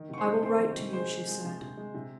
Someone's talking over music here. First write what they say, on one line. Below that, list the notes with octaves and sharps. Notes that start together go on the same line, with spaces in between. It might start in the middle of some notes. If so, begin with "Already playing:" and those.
"I will write to you," she said.
Already playing: D#3
C3 C#6
C5 C6
C4
C4 C5 C6
D#3
C3
G#3 C5 C6
G#3
G#3
C3
C3
G#3
C3